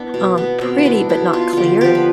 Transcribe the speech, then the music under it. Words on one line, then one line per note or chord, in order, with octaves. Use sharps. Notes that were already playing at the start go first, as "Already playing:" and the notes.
um, pretty but not clear,
Already playing: B3 D4 E4
B2
B3
B2 C4
E4
B3 D4
B2 E4
B3 F4
D3 F4 G4
F3 B3 G4
B4